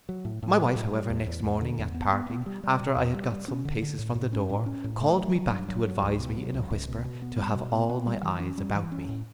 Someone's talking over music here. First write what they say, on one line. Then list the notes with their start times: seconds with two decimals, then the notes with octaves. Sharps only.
My wife, however, next morning, at parting, after I had got some paces from the door, called me back, to advise me, in a whisper, to have all my eyes about me.
0.09 F#3
0.25 A2
0.43 A2
0.60 F#3
0.76 A2
0.93 G3
1.10 E2
1.27 E2
1.44 E2
1.61 D3
1.79 E2
1.94 B3
2.12 B3
2.30 B3
2.46 G3
2.64 G3
2.80 B2
2.96 E2
3.15 G3
3.32 G3
3.48 C#4
3.65 D3
3.82 D3
3.99 A2
4.15 A2
4.33 C#4
4.49 A2
4.66 C#4
4.84 A2
5.01 A3
5.18 F#3
5.35 F#3
5.52 G2
5.68 F#3
5.86 F#3
6.02 C#2
6.19 B2
6.37 F#3
6.54 C#2
6.70 C#2
6.87 B2
7.05 B2
7.22 B3
7.38 G3
7.55 B2
7.72 B3
7.89 B3
8.07 G3
8.23 E3
8.40 C#4
8.58 G3
8.75 E3
8.92 C#4
9.09 A2